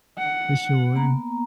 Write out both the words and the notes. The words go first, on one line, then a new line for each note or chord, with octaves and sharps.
For sure.
F#5
A#3 B3 A#5